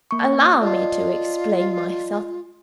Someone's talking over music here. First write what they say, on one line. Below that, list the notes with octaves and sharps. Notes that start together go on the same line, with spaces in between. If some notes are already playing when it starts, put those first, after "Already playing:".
"Allow me to explain myself."
A#3 C#6
F4 D5 D#5 A5